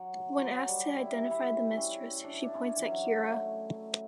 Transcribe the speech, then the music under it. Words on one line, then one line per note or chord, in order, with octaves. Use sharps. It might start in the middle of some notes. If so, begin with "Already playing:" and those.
When asked to identify the mistress, she points at Kira.
Already playing: F#3
F#3
G3
E4
E4
C#4
D4
E4
D4
C#4
E3
F#3
A3